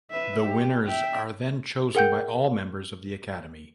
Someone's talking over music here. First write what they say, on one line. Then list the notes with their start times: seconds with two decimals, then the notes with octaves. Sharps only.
The winners are then chosen by all members of the Academy.
0.11 B4 E5
0.44 G4
0.87 E5 G5
1.95 G#4 A#4 F#5 G5 G6